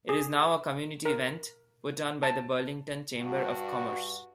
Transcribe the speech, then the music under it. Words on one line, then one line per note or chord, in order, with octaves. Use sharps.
It is now a community event put on by the Burlington Chamber of Commerce.
G#4
A#4
A5
G2 F#4